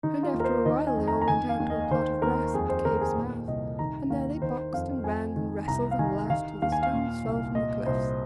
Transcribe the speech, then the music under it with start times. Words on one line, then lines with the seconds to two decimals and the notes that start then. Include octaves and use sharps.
And after a while they all went out to a plot of grass at the cave's mouth, and there they boxed, and ran, and wrestled, and laughed till the stones fell from the cliffs.
0.03 D#3 D#4
0.23 F4
0.34 D#2
0.40 A#4
0.44 C5
0.65 D#3 D#5
0.87 G#5
0.96 F2
1.08 A#5
1.22 A#5
1.28 D#3 G#5
1.49 F5
1.60 D#2
1.70 D#5
1.91 D#3 C5
2.22 D#2 A#4
2.54 F2 G#4
2.69 C5
2.85 D#3 A#4
3.01 G#4
3.16 A#2
3.48 C2 D#5
3.79 D#3 A#5
4.10 D#2 F5
4.42 D#3 C5
4.73 F2 F5
5.04 F2 G#5
5.36 D#3
5.68 C2 A#5
5.91 F5
5.99 D#3 G#5
6.30 D#3 F5
6.62 D#2 F5
6.72 G#5
6.83 F5
6.93 A#2
7.24 C2
7.55 A#2 D#5
7.86 C2 C5